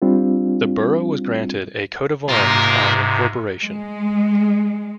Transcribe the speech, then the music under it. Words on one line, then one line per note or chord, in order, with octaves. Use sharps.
The borough was granted a coat of arms on incorporation.
G3 C4 D4 F4
G#2 C3 F4 A#4
G#3